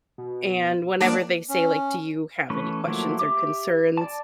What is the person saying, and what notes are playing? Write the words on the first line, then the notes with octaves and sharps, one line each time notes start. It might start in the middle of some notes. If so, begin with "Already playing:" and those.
and whenever they say, like, "Do you have any questions or concerns?"
B2
G3 A#3 D4
C#4
E3 A3 C#4 B4
F3 F#3 A3 A#3 E4
G4 E5 D6
D5 A5